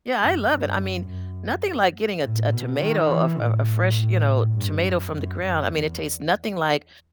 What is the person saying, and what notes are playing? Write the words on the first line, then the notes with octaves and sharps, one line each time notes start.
Yeah, I love it, I mean, nothing like getting a to a tomato, a f a a fresh, you know, tomato from the ground, I mean, it tastes nothing like,
F#2
G2
F#2
F#2
A2
B2
D#3
E3
A2
G2
F#2
F#2
F#2
E2